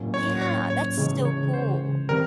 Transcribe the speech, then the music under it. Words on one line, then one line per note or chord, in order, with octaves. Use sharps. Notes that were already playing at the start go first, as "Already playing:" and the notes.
Yeah, that's so cool.
Already playing: A2 F#3 A#3 C#4
C#5
C#5
C#5
C#3 E3 G#3
C#5
C5
D#3 G3 C4 A#4